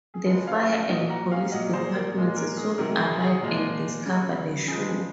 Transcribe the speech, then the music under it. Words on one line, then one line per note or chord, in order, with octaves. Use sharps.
The fire and police departments soon arrive and discover the show.
G#4
C#3 F3 G#3 A#4
C#5 F5
F5 G#5
A#2 F#3 D#5 F#5
F#5 A#5
F5 G#5
A#2 F#3 D#5 F#5
G#4 C5
A#4
A#2 G#3
A#4
G#4
C3 D#3 F#3 A#4
G#4
G#4
A#2 F3 G#3
C#3 F#3
C#3 F3 G#3 G#4